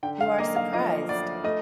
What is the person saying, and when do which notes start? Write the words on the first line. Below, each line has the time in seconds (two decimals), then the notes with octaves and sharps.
You are surprised.
0.03 D3 G5
0.21 F5
0.38 A#3 D#5
0.56 F5
0.73 F3 D#5
1.09 D2 D5
1.44 A3 D#5